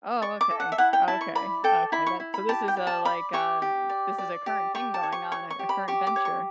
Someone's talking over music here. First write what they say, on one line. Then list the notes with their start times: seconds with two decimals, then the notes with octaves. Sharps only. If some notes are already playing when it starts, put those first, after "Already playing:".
Oh, okay, okay, okay, that so this is a like a this is a current thing going on, a a current venture.
0.22 D5 C#6
0.41 D6
0.51 A4
0.60 F#5
0.72 E5
0.78 E4 F#5
0.93 G5
1.08 E4 A5
1.21 C#6
1.35 D5 B5
1.64 A4 G5
1.92 E4 B5
2.06 C#6
2.20 E4
2.34 B5
2.48 G4 A5
2.68 G5
2.77 D5
2.87 A5
3.05 D5 B5
3.33 G4 C#6
3.62 G4
3.90 D5
4.18 D5
4.46 G4
4.75 G4 C#6
4.94 A5
5.03 C#5
5.12 C#6
5.32 C#5 C#6
5.50 C#6
5.59 G4
5.69 B5
5.88 G4 C#6
6.07 D6
6.16 C#5
6.25 C#6